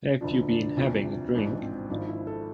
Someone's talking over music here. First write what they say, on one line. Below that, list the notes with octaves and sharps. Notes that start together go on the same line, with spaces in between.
Have you been having a drink?
E1 D2 D3 F3 D4
D4
E1 D2 C3 F3 D4
A1 G#2 F3 D4
C4
G#1 G#2 F3 D4
E4
A4